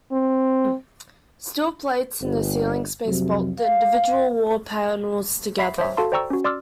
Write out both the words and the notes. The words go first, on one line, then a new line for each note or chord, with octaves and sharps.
Steel plates in the ceiling space bolt the individual wall panels together.
C4
G1
C2 F2 C3 F#3
F5
E5 B5 B6 C7
C5 C#5 E5
F#4 A4 F5 A5 C6
C5 D5 G5 A#5 C#6 E6
C#4 F#4
D5 C6 D6 E6 F6